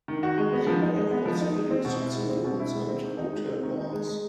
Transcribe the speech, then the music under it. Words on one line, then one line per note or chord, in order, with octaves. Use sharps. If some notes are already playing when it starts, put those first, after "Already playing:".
They were also used in saloons and hotel bars.
D#3
F#4
G#3
B3
F3
D#4
G#3
B3
F3
D#4
G#3
C4
B2
E4
G#3
C4
B2
E4
G#3
C4
D#3
D#4
G#3
C4
D#3
D#4
G#3
G#3